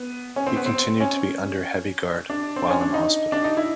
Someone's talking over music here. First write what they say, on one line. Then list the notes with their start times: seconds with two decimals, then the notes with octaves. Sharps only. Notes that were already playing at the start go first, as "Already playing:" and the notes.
He continued to be under heavy guard while in hospital.
Already playing: B3
0.36 C#4
0.47 C4
0.56 B3
0.66 C4
1.00 C#4
2.30 D4
2.56 C4
2.69 C#4
2.81 D4
2.94 D#4
3.32 D4
3.44 D#4
3.57 E4